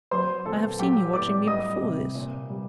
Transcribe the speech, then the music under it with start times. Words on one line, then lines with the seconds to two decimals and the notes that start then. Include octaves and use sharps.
'I have seen you watching me before this.'
0.11 F#3 C5 C6
0.46 A#2 A4 A5
0.79 F#3 G4 G5
1.13 A2 D5 D6
1.47 G3 D#5 D#6
1.81 C3
2.15 A#2
2.49 G3